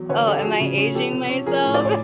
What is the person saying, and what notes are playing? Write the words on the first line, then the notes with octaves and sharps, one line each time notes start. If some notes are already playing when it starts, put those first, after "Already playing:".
Oh, am I aging myself?
Already playing: E2 F#3
D3 B4 C#5
D4 G4 A4
A4
F3 F#4 G#4
C#3
C#4
F3 G4 A4
C3
C#4
F3 G#4 A#4
A2
D5
A2
C#5